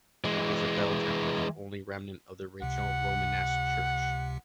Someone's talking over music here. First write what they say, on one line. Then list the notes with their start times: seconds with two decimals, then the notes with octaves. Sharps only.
It is a bell tower, the only remnant of the original Romanesque church.
0.24 E3 G#3
2.62 C#2 C3 F#5